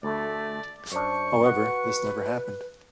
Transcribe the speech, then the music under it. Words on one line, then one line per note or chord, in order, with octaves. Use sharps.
However, this never happened.
D2 A3 D5
F#2 D4 C5 C#6
F#4 B4